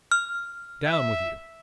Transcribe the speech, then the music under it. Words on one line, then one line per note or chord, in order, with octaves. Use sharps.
"Down with you!"
F6
E5